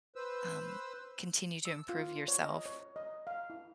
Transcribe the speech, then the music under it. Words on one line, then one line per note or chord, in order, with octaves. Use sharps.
um, continue to improve yourself.
B4 C5 E6
E6
F4
C#5
D#5
C#5
D#5
F5
E4